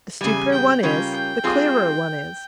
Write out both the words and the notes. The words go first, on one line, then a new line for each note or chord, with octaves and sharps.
The stupider one is, the clearer one is.
E2 C#3 G3 G#5
G5
C#3 G3 C#4 F4 A#4 G5
G5
G3 C4 F4 G#4